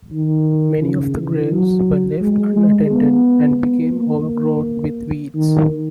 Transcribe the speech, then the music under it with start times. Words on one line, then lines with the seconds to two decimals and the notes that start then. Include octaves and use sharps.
Many of the graves were left unattended and became overgrown with weeds.
0.12 D#3
0.82 C#3
1.17 E3
1.52 F#3
2.20 G#3
2.56 G#3
2.91 B3
3.60 B3
3.95 A#3
5.34 D#3